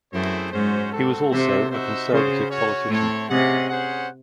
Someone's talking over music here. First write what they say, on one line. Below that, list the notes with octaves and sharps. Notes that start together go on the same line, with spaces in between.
He was also a Conservative politician.
F#2 A3 C4 E4 G#4 C5
G#2 C#4 F#4 C5
C4 F#4 A4
C3 F#4 A4 C5 E5
D#4 F#4 C5 E5
C#3 C#4 F#4 C5
C#4 F#4 C#5
A2 C4 E4 A4 C#5
C3 C#4 G#4 D#5 F#5
C#4 G#4 C5 F#5